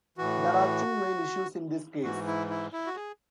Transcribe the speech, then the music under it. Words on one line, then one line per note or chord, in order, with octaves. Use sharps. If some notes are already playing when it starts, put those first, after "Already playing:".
There are two main issues in this case.
A2 E3 F#4
G#2 E3 F#4
E4
E4
E4
F#4
G#4